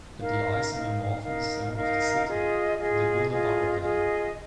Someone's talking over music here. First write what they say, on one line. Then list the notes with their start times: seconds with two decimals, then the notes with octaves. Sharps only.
It lies in the northern zone of the city, in the Guanabara Bay.
0.19 D#4 A#4 F5
0.71 D#4 A#4 F5
1.23 D#4 A#4 F5
1.74 D#4 A#4 F5
2.26 F4 G#4 D#5
2.77 F4 G#4 D#5
3.29 F4 G#4 D#5
3.81 F4 G#4 D#5